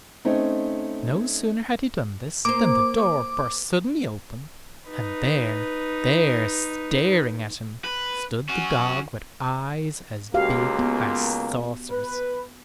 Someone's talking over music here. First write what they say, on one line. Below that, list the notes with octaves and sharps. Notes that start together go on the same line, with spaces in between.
No sooner had he done this, than the door burst suddenly open, and there, there, staring at him, stood the dog with eyes as big as saucers.
A3 C4 C#4 D#4
A#3 C5 D6
D#4 B4
B4
C#4 F#4
C#2 A#3 F#4 G4 F5
B3
B4